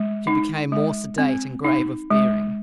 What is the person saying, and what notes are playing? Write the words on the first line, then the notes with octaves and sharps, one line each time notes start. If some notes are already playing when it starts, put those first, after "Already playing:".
She became more sedate and grave of bearing.
Already playing: G#3
D#4
G#3
C4
D#4
G#3